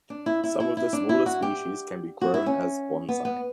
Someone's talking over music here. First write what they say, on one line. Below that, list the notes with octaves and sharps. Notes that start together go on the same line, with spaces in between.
Some of the smaller species can be grown as bonsai.
D4
E4
E4
E4
E4
D4
E4
F#4
G4
F#4
E4
C#4
B3
B3